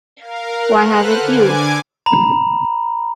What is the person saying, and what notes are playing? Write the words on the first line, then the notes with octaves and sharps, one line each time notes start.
Why haven't you?
A#4 F5
A#4 F#6
A4 B4 C5 F#5 F6 F#6
D3 G#5 D6 G#6
A#5 B5